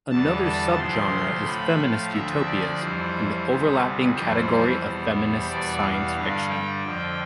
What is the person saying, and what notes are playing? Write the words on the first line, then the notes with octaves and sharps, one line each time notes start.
Another subgenre is feminist utopias and the overlapping category of feminist science fiction.
E2 D3 G3 A5
A5
D2 C3 F3 C6
A2 F3 B5
F5
D2 D3 F3 E5
D5
F2 E3 G3 C5
D2 C3 G3
F2 E3 G3 C5
E2 B2 G3
E2 B2 G3 D5
F5
G2 D3 G3 F5
G5
F2 D3 F3